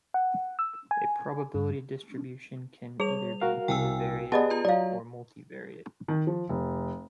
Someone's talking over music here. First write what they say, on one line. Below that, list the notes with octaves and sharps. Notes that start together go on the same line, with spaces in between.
A probability distribution can either be univariate or multivariate.
F#5
E6
G#5
G2
G3 G#4 C#5 F7
F#4 A#4 F5
C2 G5 G#5 E6
B3 G4 G#4 B4 D5 D#5 A5
F4 A#5
F#3 D5 D#5 F5
D#3
F3
F1